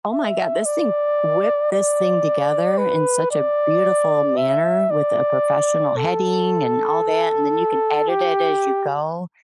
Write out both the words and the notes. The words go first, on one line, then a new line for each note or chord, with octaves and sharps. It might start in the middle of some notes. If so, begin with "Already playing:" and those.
Oh my god, this thing whipped this thing together in such a beautiful manner, with a professional heading and all that, and then you can edit it as you go.
E5
D5
D5
B4
D5
E5
D5
A4
G4